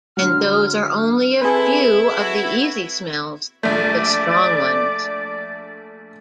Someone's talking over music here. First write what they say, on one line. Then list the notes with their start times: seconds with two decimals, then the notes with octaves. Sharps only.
And those are only a few of the easy smells — the strong ones.
0.17 D3 F#3 F6
1.41 C4 E4 G#4 A4 B4 G#5
2.16 F#4
3.63 A#1 A3 D5